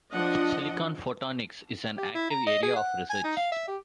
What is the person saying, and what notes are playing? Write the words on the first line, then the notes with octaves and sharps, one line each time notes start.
Silicon photonics is an active area of research.
F3 D4 D#5 F#5
G4
E4
A#5
D#5
G#4
F#5
G#5
D#4
F5
E5
G4